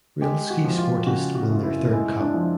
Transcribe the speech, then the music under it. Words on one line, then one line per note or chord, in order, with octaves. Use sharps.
Rilski Sportist won their third cup.
G#3 G4
F#4
F3
F4
C#3 F#4
F#4
F#2
E4
G#3 E4
D4
F3